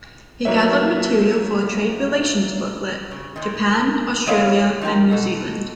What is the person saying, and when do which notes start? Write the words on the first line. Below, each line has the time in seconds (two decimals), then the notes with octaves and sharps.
He gathered material for a trade relations booklet, "Japan, Australia and New Zealand".
0.45 F#3 A#3 D#4 B4 C#5 E5
3.11 C#3
3.36 A#2 D#3
4.26 F#2 G#3 E4 C#5 F5
4.81 F3 D#4 E4 G4 A#4
5.11 B2 A4